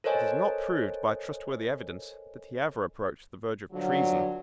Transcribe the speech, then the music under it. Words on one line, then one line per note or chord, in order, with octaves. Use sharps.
It is not proved by trustworthy evidence that he ever approached the verge of treason.
A4 A#4 C5 C#5 D#5 G#5
G2 D3 F3 F#3